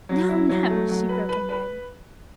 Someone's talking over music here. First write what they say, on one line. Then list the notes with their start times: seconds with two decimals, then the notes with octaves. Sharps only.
"No, no!" she broke in merrily.
0.09 F#3
0.29 E4
0.49 F#3
0.70 A3
0.89 F#3
1.09 B4
1.29 B4
1.49 B4